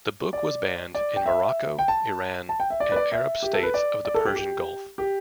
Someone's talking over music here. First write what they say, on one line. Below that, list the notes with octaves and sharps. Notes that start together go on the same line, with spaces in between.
The book was banned in Morocco, Iran, and Arab states of the Persian Gulf.
D5
D5
G5
E5
G5
A5
A5
G5
E5
D5
B4
D5
E5
G4
A4
B4
D5
D5
A4
G4
G4
G4